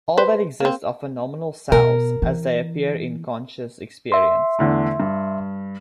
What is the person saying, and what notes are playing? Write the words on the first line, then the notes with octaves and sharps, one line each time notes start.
All that exists are phenomenal selves, as they appear in conscious experience.
B4 C5
A#3 C4
B2 A#4
E3
E5 C6
E2 D3 A3
G2